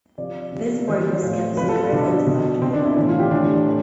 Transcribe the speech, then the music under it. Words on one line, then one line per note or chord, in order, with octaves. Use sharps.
This work was kept secret until after the war.
C3 F3 D5
C3 F3
C3 E3 C5
A2 F3
C3 F3 B4
A4
F4
B2 D4
B2
B2 C4
D4
E4
A2 E3
F4
G4
A2 E3 D4
A2